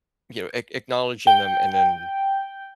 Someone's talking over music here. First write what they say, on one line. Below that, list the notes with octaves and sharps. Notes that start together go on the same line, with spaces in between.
you know, ac acknowledging them and then
G5